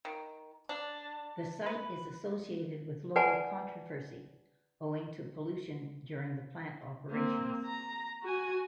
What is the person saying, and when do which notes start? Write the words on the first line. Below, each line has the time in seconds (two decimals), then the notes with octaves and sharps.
The site is associated with local controversy owing to pollution during the plant operations.
0.05 D#3
0.69 D4
1.66 B4
3.16 B4 D5 F#5 G#5 A5 B5
7.10 A#3 C4
7.65 A#5
8.23 F#4 G#5